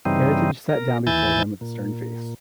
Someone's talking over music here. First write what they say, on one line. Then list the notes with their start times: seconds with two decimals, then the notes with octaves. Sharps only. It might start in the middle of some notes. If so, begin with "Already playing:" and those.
Heritage sat down before him with a stern face.
0.05 G2 C#3 E3 G3 C4 D#4
0.69 A#4
1.07 D#2 E3 E4 G#5 G6 A6
1.61 A#2